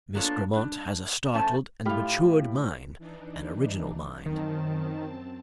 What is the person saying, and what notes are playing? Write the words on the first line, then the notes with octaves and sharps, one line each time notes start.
Miss Grammont has a startled and matured mind, an original mind.
A#3 B3 D4 F4 A4 C#5
G3 D4
F2 A3 C#4 C5 G#5 A5
A2 A3 E4 F4 G4 B5 F6
E3 D4 D#4
F#2 D#3 C4 A5